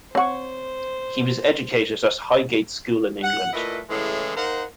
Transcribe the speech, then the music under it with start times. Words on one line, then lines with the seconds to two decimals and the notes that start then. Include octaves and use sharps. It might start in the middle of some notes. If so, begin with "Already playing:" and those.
He was educated at Highgate School in England.
0.15 C4 C5 C#5 F#5 C#6
3.23 F#5
3.53 A#2 A3 E4 B4 D#5
3.90 A2 C#3 E3 G#3 A3
4.36 A#3 D#4 A#4 C5 F#5